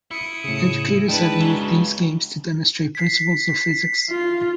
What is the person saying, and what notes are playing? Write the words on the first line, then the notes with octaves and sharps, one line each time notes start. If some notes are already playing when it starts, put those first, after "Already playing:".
Educators have used these games to demonstrate principles of physics.
E4 D#6 C#7
A2 C#3
G#3 D4 B4 G5 A5
C#3 F#3
B6 C7
F4